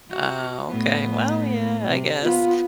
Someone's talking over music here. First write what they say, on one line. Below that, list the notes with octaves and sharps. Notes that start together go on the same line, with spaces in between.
Ah, okay. Well, yeah, I guess.
F#4
A2 B3
C3
B3 F4